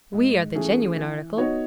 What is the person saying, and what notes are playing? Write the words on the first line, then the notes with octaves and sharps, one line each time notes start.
"We are the genuine article."
G#2
E3 A3 C#4 G#4
E3
B3 D#4 F#4 C#5